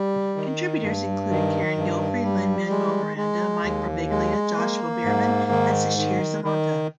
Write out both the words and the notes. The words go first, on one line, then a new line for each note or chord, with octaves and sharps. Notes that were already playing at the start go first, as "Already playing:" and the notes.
Contributors included Carin Gilfry, Lin-Manuel Miranda, Mike Birbiglia, Joshua Bearman, and Sasheer Zamata.
Already playing: G3
D#3
G2
D#3
G2
G3
G#3
G#3
D#2
G#3
A#3
G#2
D#3
D#3
D#3